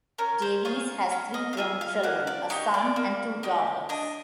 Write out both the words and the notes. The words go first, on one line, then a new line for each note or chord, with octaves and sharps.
Davies has three grown children, a son and two daughters.
C#4 A#4
C5
F4 G#4 C#5
C#4
D#5
F5
F4 G#4 E5
F5
A#3 F#5
D5
D#4 G4 C#5
D5
A#3
D#4 G4
D4 D#5